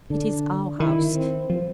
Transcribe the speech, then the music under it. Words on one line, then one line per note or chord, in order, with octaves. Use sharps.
It is our House.
D3 D4
D#3 E4
C4
F3